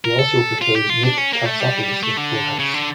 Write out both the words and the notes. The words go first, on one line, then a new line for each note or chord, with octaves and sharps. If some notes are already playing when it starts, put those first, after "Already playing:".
He also portrayed Nick Katsopolis in "Full House".
A#4
A4
F4
G4
F4
D4
C#4
A#3
A3
G3
A3
D3
C#3
D3